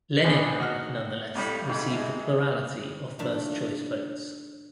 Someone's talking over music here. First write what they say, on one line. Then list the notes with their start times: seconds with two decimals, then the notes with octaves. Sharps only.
Lenihan nonetheless received a plurality of first-choice votes.
0.24 B1 F3 B3 D4 G#4 C5
0.58 D#4 F#4 F6
1.35 F2 A2 G3
1.68 F2 G#2 G3
1.91 C3 G#3 E4
3.19 A2 D#3 F3 D4 E5 F5